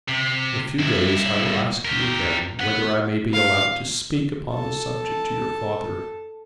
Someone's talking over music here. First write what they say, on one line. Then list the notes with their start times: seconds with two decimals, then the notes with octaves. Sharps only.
In a few days I will ask you again whether I may be allowed to speak upon the subject to your father.
0.08 C3
0.79 G2 E4
1.85 G4 A#4
2.59 B4 F#5
3.33 F5
4.53 A4 A5